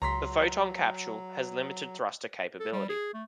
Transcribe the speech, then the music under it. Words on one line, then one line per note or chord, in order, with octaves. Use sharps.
The Foton capsule has limited thruster capability.
C#2 F#3 A#5 C6 B6
A4
G3
G#4
A3